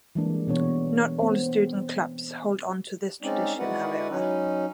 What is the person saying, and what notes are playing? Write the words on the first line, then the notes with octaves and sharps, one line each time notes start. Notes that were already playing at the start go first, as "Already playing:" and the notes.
Not all student clubs hold on to this tradition, however.
E3 G3 G#3 A#3 D4
B2 E3 B3 D4 C#5
B3 C4 C5
G#3 C4 C#4 D#4 D5
G#3 E4 F#4 B4 D5 F#5
F#3 C#4 D#4